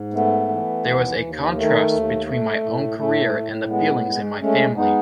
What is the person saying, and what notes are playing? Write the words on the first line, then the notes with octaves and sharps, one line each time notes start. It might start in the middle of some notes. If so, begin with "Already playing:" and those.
There was a contrast between my own career and the feelings in my family.
Already playing: G#2
A3 B3
E3
D#2
D#2
D#3 A3
D#2
A3
A2
A2 A3
A2
G#3 B3
G#3
G#3 A3 C#4
G#3 B3 D#4